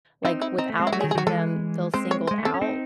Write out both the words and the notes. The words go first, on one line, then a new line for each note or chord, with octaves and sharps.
like, without making them feel singled out?
C4 D#4 E4
E4
C4 D#4
A3
G#3 C4
E4
F#3 A3 F#4
G#4
D#3 F#3
G#4
D#3 F#3 F#4
E3 G#3 A4
G#3 C4 C5
C#5
C5
G#3
A3
C4 A4
C#4
C4 D#4